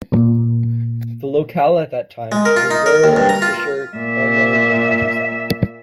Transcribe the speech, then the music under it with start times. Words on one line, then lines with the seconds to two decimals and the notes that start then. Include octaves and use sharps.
The locale at that time was rural Worcestershire farmland and countryside.
0.12 A#2
2.32 G#3
2.45 A#4
2.56 F4
2.71 D#4
2.86 A#4
3.04 D#2
3.16 G2
3.29 A#5
3.42 F4
3.97 A#2 E5